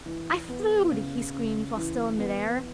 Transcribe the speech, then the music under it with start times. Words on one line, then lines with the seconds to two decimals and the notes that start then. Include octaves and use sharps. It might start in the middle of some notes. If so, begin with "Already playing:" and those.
"I flewed!" he screamed while still in mid-air.
0.06 E3
0.48 B3
0.91 C#3
1.34 C#3
1.77 E3
2.19 B3